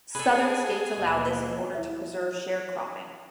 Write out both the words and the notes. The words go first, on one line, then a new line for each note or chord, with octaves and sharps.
Southern states allowed this in order to preserve sharecropping.
G#4 A4 B4
D#2 B2 D#5
E4 E5